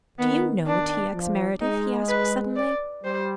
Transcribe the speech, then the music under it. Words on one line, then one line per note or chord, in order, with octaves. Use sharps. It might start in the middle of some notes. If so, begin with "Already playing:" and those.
"Do you know T. X. Meredith?" he asked suddenly.
D#3 B3
D#3 D4
F3
G#3 D#4
B4
D5
G3 C5